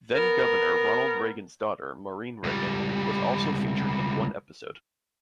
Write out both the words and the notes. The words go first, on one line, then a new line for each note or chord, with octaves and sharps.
Then-Governor Ronald Reagan's daughter, Maureen Reagan, was also featured in one episode.
B3 A#4
C#2 G3